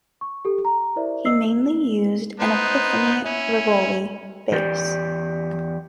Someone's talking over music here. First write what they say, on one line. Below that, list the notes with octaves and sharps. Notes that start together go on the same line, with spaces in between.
He mainly used an Epiphone Rivoli bass.
C#6
G4 A4
A#5
E4 A#4 C5 D5 E5
D#5 E6 C7
B3 D#4 C5
C#4 E4
E2 G4 D5